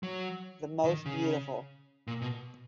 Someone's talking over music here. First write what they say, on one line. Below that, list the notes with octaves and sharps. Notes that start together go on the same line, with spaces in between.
The most beautiful.
F#3
D#3
C#3
A#2
B2